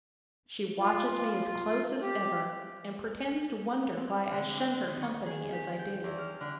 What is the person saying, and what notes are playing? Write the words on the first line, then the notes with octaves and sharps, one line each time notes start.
She watches me as close as ever, and pretends to wonder why I shun her company as I do.
F4
G4
C4
D3
D4
D#3
C#6
G#4
G4
G5
E2
F6
D3